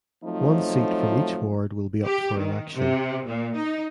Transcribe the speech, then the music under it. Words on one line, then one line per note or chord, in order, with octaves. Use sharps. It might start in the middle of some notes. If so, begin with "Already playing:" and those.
One seat from each ward will be up for election.
F3 F#3 A3 C4 D#4
G4
D#3
C3
A#2
D#4